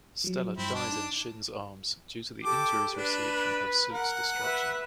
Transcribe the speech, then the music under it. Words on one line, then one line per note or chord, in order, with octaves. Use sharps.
Stella dies in Shinn's arms due to the injuries received from her suit's destruction.
F3 F#3
G2 C4 E4
D4
D#4
G4 A4 D6
D4 B4
A#4 F#5
B4 E5